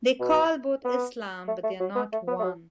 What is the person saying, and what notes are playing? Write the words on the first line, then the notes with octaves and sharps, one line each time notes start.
They call both Islam, but they are not one.
B2
B3
A3
A3
F#3
B3
A3
B3
A3
F#3